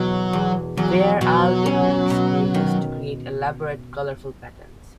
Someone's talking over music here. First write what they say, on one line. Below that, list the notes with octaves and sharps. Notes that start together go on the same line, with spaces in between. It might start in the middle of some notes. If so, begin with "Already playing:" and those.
Fair Isle techniques were used to create elaborate colorful patterns.
Already playing: E2 B2 F#3
E2
E2 F#3
B2 F#3
C#4
B2
D#3